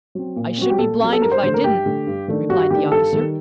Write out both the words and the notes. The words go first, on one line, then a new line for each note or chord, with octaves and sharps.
"I should be blind if I didn't," replied the officer.
F#3 C4
A#2
F#3 C4 F#4
G4
A#2 A4
F#3 C4
A4
G2 A#4
C5
D3 A3 C5
A#4
G2 G4
D3 A3
G2
D#3 A3 D4
G2 F#4
D#3 A3 D4 G4
G2 A4
D#3 G3